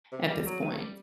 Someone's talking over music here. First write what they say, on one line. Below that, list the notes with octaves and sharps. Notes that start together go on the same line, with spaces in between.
at this point
C3
G3
F#3
D#3
A3
G3